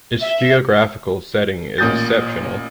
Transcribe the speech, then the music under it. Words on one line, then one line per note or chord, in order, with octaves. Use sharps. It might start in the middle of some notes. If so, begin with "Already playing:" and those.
Its geographical setting is exceptional.
E5
A1 A#2 D#6 G6 A6